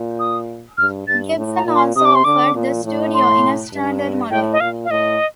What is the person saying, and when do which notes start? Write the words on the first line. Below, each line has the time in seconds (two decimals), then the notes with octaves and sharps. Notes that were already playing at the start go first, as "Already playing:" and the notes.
Gibson also offered the Studio in a "standard" model.
Already playing: A#2
0.19 D#6
0.77 G2 F6
1.08 G2 A6
1.36 A2
1.56 A#5
1.66 A#2
1.75 C6
1.96 C3 D#6
2.05 D6
2.15 C6
2.24 D3 D6
2.55 A#2
2.85 A2
3.14 C6
3.72 G2
4.31 A2 G5
4.52 D#5
4.60 A#2 F5
4.85 F5
4.90 A2 D#5